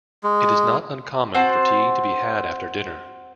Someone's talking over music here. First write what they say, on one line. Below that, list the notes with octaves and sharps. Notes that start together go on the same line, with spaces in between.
It is not uncommon for tea to be had after dinner.
G#3
C4 F#4 C5 A5